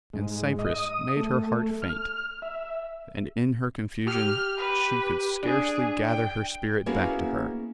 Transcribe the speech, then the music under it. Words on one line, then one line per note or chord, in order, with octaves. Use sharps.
And Cypris made her heart faint, and in her confusion she could scarcely gather her spirit back to her.
G#2
D#5
D#6
A3
F6
E5
G4 F6
B4
D4 G#4
G5
A#3 B3 C#4 E4 F#4 G#4